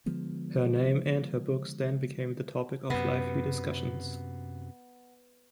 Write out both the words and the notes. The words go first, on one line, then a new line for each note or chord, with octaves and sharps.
Her name and her books then became the topic of lively discussions.
D3 F3 G#3 B3
F#2 C3 B3